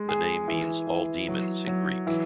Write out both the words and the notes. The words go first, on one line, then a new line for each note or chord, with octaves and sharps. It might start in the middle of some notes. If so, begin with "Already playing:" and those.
The name means "all-demons" in Greek.
Already playing: G#3
G#4
E3
E3
F#3
F#3
E3